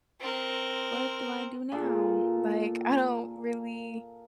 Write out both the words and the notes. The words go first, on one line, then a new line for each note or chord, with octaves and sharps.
"What do I do now? Like, I don't really"
C4 A#4
A#2 A#3 G#4 A4